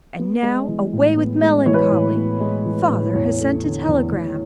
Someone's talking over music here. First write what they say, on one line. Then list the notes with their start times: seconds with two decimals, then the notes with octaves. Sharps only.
'And now, away with melancholy! Father has sent a telegram.
0.19 B3
0.43 G#3
0.68 E3
0.93 A2
1.17 B3
1.42 G#3
1.66 E3 C#5
1.74 B4
1.81 C#5
1.91 A2
2.16 B3
2.40 G#3
2.66 E3
2.90 A2
3.14 E2 C#5
3.39 A3
3.64 D3
3.88 E2
4.12 E2